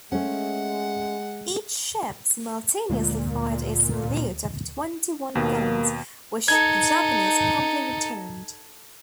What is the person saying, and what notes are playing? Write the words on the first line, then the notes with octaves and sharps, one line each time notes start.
Each ship simultaneously fired a salute of twenty-one guns, which the Japanese promptly returned.
G#3 A3 C#4 F#5
D2 A#2 G#3 A#3
D#2 B2 A#3
D#4 A4 G#6